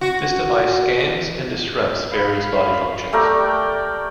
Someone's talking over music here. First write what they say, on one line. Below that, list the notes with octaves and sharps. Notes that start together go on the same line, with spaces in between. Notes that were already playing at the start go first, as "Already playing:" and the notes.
This device scans and disrupts various body functions.
F#4
F5 B5
A3 G4 A#4 D5 G5